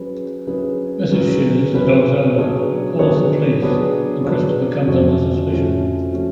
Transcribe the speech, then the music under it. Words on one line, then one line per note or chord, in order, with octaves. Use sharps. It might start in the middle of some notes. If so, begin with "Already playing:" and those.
Mrs Shears, the dog's owner, calls the police, and Christopher comes under suspicion.
Already playing: F#3 C#4 G#4 B4
F#3 C#4 G#4 B4
F#3 C#4 G#4 B4
F#3 C#4 G#4 B4
F#3 B3 D4 G#4 C#5
F#3 B3 D4 G#4 C#5
F#3 B3 D4 G#4 C#5
F#3 B3 D4 G#4 C#5
F2 F3 A3 C#4 F#4
F2 F3 A3 C#4 F#4
F3 A3 C#4 F#4